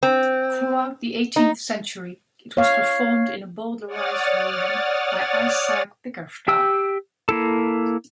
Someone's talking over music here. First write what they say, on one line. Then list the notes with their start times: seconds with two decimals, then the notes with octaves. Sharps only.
Throughout the eighteenth century it was performed in a bowdlerized version by Isaac Bickerstaffe.
0.03 C4
1.36 D#4
2.57 C#5 F5
3.86 C#5 D5 F#5 D#6 F6 A6
6.48 G4 G5 E6
7.29 A#3 E4 A4